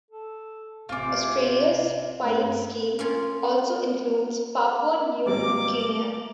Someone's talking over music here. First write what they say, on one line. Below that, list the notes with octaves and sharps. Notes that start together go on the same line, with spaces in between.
Australia's pilot scheme also includes Papua New Guinea.
A4
A1 C3 C4 F4 G#5 D6
G2 A3
A#3 C#4 F4
G#1 G3 A#3 D6